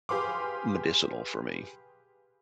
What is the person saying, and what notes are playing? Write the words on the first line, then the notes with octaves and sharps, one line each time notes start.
medicinal for me.
G4 G#4 B4 F5 C6 D6